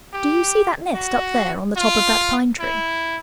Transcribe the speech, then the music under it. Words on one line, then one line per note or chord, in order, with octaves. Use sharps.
Do you see that nest up there on the top of that pine-tree?
G4
F#4
F4
E4